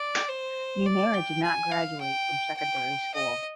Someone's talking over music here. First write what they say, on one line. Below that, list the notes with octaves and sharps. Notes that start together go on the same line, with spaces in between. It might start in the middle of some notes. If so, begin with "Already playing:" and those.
Nomura did not graduate from secondary school.
Already playing: D5
C5
D5
G5
G#5
F5
G5
G5
D#5